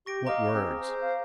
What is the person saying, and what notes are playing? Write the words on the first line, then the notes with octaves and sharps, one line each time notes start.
"What words?"
G4 C#6 A#6 D7
D#5 F5 A#5 D6 F6
C4 G#4
C5
F5